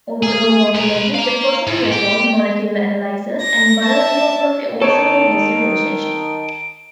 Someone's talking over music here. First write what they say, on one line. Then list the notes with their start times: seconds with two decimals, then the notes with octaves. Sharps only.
Overall morphology, the fossil record, molecular analyses, and biogeography all support this relationship.
0.23 G#4
0.75 B4 A#5
1.14 F5 A#5
1.67 G#2
1.91 G4
3.41 A#6
3.85 E5 A5
4.82 D#3 D#4 A4 C#5 D7